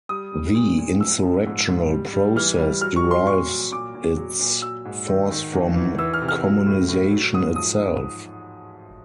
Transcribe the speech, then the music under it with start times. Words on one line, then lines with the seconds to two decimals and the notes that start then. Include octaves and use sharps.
The insurrectional process derives its force from communisation itself.
0.09 G3 D#6
0.33 G3
0.55 A#2
0.78 A#2
1.01 F3 E6
1.23 F3
1.46 G#2
1.68 G#2
1.90 G3
2.13 G3
2.36 E3 F6
2.59 G3
2.81 F#3 F6
2.96 C#6
3.04 F#3
3.11 C6
3.26 A#2 C#6
3.49 F#3
3.72 A#2 D6
3.95 A#2
4.17 F#3
4.39 A#2
4.62 F#3 E6
4.85 G#2
5.08 D#3
5.31 D#3
5.53 E2
5.76 E3
5.99 E3 E6
6.14 F6
6.21 C3
6.28 F6
6.43 F#3
6.66 A2
6.88 A2
7.11 F#3
7.34 G#2 D#6
7.56 F3 D#6